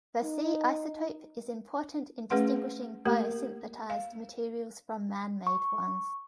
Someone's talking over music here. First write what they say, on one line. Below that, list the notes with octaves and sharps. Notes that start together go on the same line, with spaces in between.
The C isotope is important in distinguishing biosynthetized materials from man-made ones.
D#4
A3 C#4 G#4 B4 F#5 C6
A3 A#3 G4 A#4
F5
C#6